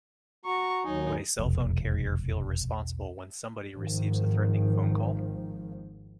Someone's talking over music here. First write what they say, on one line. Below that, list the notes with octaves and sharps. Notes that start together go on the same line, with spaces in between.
Would a cell phone carrier feel responsible when somebody receives a threatening phone call?
F#4 A#5 C#6
D#2 F#3 D#4 G#5
F1 A#1 E2 B2
G#1 G#2 D#3 F3